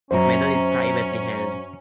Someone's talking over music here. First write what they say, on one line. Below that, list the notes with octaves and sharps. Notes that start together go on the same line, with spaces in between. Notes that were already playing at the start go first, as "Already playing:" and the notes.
His medal is privately held.
F#2 F#3 C#4 C5 A#5